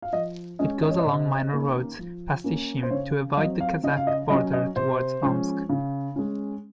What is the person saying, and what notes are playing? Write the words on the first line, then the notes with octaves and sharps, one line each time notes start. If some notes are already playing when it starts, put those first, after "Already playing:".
It goes along minor roads past Ishim to avoid the Kazakh border towards Omsk.
F5
F3 D#5
G#3 C#4 D#5
D#5
C#5
D#5
C3
D#3 A#3 C#4
F3
A#3 C#4
C5
C#3 C#5
F5
F#3 D#5
C4
F5
C#3 D#5
F5
D#5
F#3 C#4 D#5
D#5
C3 C5
F3 G#3 C#4
C#3
G#3 C#4